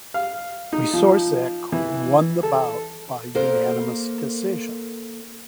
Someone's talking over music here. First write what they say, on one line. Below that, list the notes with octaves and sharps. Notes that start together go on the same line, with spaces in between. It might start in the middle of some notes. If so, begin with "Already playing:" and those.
Wieczorek won the bout by unanimous decision.
F5
D#4
F3
E3
A4
A#3 A4 A#4 C5